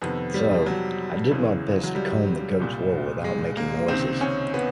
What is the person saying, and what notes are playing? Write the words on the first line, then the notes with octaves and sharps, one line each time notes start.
So I did my best to comb the goat’s wool without making noises.
F2 C3 D#3 B3
G3
F#3
C#2 C#3 E3
F#3
G3
C2 A#2
G#3
A#3
C#2 C3 D#3 C4
C#4
B3